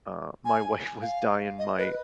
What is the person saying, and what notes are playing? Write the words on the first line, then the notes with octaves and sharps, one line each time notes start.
uh, my wife was dyeing my
G#5
F5
D#5
B4